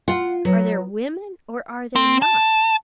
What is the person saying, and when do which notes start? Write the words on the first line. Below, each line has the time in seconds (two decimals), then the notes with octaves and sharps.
Are there women or are there not?
0.08 F4 F#5
0.45 F#3 B3
1.96 C4
2.22 A5